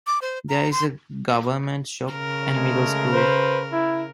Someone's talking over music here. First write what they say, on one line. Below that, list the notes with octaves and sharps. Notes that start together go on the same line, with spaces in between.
There is a government shop and middle school.
D6
C5
A#5
C6
C#3 A#4
G#3 A3
B4 C5
E4